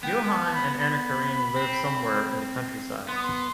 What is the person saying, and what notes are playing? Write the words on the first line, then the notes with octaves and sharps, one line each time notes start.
Johan and Anna-Karin live somewhere in the countryside.
B3 G5
A5
A5
B5
B5
C4
B3 C6
D#6
C6